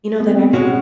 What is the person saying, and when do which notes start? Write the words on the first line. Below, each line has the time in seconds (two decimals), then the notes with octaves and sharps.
you know, that actually
0.20 B3
0.32 C4
0.43 B3
0.53 B2 G#3 C#4 F#4